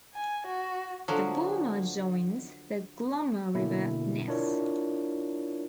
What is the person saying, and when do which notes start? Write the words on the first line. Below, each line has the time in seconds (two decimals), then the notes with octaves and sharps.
The Vorma joins the Glomma River at Nes.
0.15 G#5
0.47 F#4
1.08 D3 F3 F#3
3.55 B2 D3 A#3 E4
4.28 D4 E4 F4 A#4 C#5